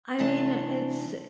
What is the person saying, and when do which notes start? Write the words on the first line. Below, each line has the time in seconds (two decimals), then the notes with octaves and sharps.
I mean, it's
0.19 C3 E3 A3 D4 A5